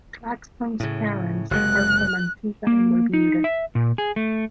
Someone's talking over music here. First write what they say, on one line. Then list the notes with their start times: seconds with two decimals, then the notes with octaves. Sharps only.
Claxton's parents are from Antigua and Barbuda.
0.80 A2 C#3
1.51 F#1 C3 G#3 F#6
2.67 A#3
3.13 D#4
3.44 E5
3.75 A#2
3.98 G#4
4.16 A3